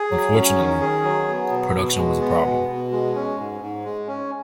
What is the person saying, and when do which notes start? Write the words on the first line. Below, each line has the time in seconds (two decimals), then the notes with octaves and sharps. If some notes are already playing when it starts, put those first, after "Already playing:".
Unfortunately, production was a problem.
Already playing: G#4
0.11 F#3
0.33 C#4
0.57 D#3
0.81 G#4
1.03 F#3
1.27 B3
1.51 B2
1.74 B2
1.97 G#3
2.20 B3
2.45 B2
2.68 B2
2.91 G#3
3.15 C#4
3.38 G#2
3.61 G#2
3.84 G#3
4.07 C#4